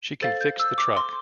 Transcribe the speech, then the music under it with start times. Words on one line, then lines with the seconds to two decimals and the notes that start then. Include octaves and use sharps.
She can fix the truck.
0.22 A4 C5 F5 A6
0.41 G6
0.59 E6
0.78 D6
0.97 C6